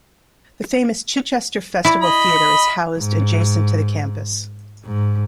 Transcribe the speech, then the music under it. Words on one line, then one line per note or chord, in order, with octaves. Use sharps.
The famous Chichester Festival Theatre is housed adjacent to the campus.
E4 D5
D#5 B5
G#2
G#2